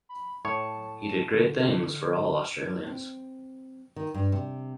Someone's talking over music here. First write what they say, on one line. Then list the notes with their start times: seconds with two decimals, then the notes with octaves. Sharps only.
He did great things for all Australians.
0.09 B5
0.45 A2 C#5 A5
1.33 D3
2.87 C4
3.96 D#3
4.14 G2
4.32 C3